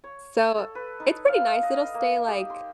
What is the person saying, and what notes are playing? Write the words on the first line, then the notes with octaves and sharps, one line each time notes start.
so, it's pretty nice. It'll stay, like
C#5
A4
B4
D#4
F5
D#5
A#3
G4
C6